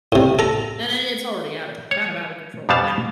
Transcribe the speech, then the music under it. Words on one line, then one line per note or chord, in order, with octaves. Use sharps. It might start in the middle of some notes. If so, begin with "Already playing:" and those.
and then it's already out of kind of out of control now.
A2 C3
A4 A#5
C#5
F2 B2 G3 B3 F5 A5